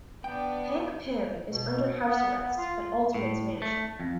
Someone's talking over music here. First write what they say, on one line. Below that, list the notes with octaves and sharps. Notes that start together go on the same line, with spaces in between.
Hank Pym is under house arrest at Ultimates Mansion.
B3 D4 G5
B2
B3
B3
F4
A2
A3
F2